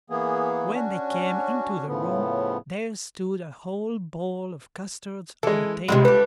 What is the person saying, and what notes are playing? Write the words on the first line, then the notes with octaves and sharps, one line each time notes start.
But when they came into the room, there stood a whole bowl of custards on the table.
E3 A#3 B3 G#4
C#4 D4 F#4
A2 C#3 F3 B3
E3 G#3 A4
C#2 C3 D#3 G3 G#3
A3 G4 B4